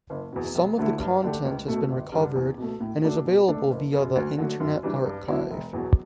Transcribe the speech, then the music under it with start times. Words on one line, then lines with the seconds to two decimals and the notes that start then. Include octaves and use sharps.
Some of the content has been recovered and is available via the Internet Archive.
0.10 F#1
0.33 E2 B2
0.55 E1
0.78 D2 D3 A3 E4
1.00 G2
1.23 D3 A3 D4 G4
1.45 C#2
1.68 B2 A3
1.90 G1
2.12 G2 D3 G3
2.36 E2
2.58 B2 A3
2.81 A2
3.03 F#3 A3 D4
3.26 B2
3.48 A3 D4
3.70 F#1
3.93 F#2 C#3
4.15 D2
4.38 D3 F#3 A3
4.60 F#2
4.83 E3 G3 D4
5.05 G2
5.28 D3 F#3 B3 E4
5.51 E1
5.73 E2 B2 F#3